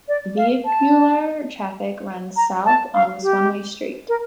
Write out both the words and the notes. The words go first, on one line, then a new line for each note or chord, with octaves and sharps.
Vehicular traffic runs south on this one-way street.
D5
F5
A5
A#5
A5
F5
G4
A#4